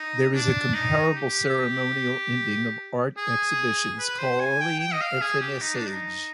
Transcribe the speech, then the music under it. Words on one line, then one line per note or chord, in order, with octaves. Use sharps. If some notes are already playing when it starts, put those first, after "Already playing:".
There is a comparable ceremonial ending of art exhibitions, called a "finissage".
Already playing: D#4
D4
D#4
G4
G#4
B4
C5
G#5
G5
G5
D#5
F5
G#4
G4
D#4
D4
D#4